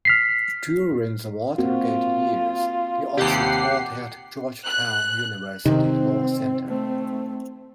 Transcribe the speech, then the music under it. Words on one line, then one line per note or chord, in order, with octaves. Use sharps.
During the Watergate years, he also taught at Georgetown University Law Center.
F6 B6 C7
A#3 C4 F4 F#4
D#2 C3 G4 F#5 C7
F#6
C3 D#3 C4 D#4
A3 C4